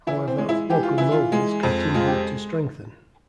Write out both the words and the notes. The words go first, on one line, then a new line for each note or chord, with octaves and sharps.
However, local nobles continued to strengthen.
E3 E4
C4
G#3
E4
E3 G4
F4
E3 E4
F4
G#3
F2
G#3 F4
G4